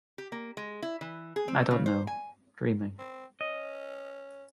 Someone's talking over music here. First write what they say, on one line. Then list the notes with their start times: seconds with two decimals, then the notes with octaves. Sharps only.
I don’t know. Dreaming.
0.18 G4
0.32 A#3
0.57 G#3
0.82 E4
1.01 E3
1.36 G#4
1.48 C4
1.71 C#3
1.86 C5
2.07 G#5
2.99 C4
3.41 C#4 D#5